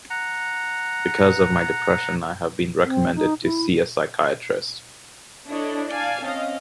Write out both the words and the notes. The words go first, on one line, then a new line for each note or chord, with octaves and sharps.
Because of my depression, I have been recommended to see a psychiatrist.
F#5 A#5
C4
D#4
E4
D4 E4 A4 C#5 D#5
D5 F5 G#5 A5
C4 C#4 D#5 F5